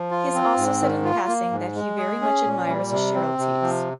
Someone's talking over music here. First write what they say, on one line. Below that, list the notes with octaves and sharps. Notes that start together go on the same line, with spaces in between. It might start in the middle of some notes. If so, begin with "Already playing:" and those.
He has also said in passing that he very much admires Cheryl Tiegs.
Already playing: F3
F4
C4
G#2
D#3
F4
A#3
G#2
G#3
G#4
C#4
A#2
G3
C3
C4
C3
F3